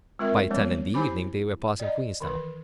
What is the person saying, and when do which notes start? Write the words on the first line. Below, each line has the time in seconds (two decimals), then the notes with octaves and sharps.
By ten in the evening they were passing Queenstown.
0.19 G#3 C4 F4 A#4 E5
0.51 F3 G3 G#3 B3 C#4
0.94 E4 G4 C5 G#5 B5 D6
1.80 D5 D#5
2.20 D#3 E3 B4